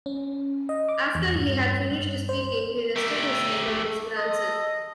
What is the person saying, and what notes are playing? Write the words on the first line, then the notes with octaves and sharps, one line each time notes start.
After he had finished speaking, he rested his head on his grandson.
C#4
D#5
D6
E2
G2
G2
C5
A3 G4
A4 D#5